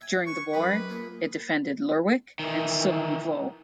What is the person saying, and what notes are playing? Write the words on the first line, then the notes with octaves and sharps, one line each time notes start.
During the war it defended Lerwick and Sullom Voe.
E5 G5 G#5
B4 G#5 C#6
F#2 D#4 G4 B4
A#3 F4 G#4
D#3 E3